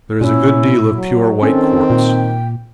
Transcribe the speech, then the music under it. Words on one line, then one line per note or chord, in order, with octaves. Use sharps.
There is a good deal of pure white quartz.
A#2 C#4 E4
F#3
D#3 C4 C#4 A4
A#2 G5